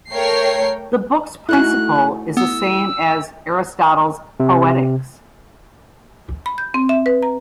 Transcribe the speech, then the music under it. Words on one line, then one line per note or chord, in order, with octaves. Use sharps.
The book's principle is the same as Aristotle's "Poetics".
A3 A#4 C#5 G5 C7
A3 D#4 E4 F#4 F#6
B3 E6
C3
B5
G6
C4
E5
B4
A#5